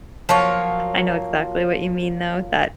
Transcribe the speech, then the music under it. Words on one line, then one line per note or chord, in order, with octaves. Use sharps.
I know exactly what you mean, though, that,
F3 F#3 A#3 C#5